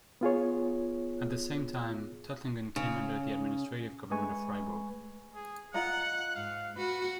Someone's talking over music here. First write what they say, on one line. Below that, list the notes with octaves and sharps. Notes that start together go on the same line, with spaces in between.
At the same time, Tuttlingen came under the administrative government of Freiburg.
B3 F4 G#4 C#5
C#3
G#3 A3 B4 G#5 C#6
G#4
F4 D#5 F#5 A#5 F#6
G#2 F5
F#4 B4